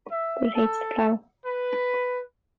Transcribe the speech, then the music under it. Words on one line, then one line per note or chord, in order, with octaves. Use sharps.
But it hates the plow!
E5
A4
B4